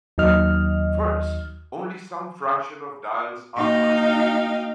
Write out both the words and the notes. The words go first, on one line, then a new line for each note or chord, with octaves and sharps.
First, only some fraction of dials are answered.
D#2 D#3 F#3 D#5 F6
A#3 D#4 F#4 F5 G5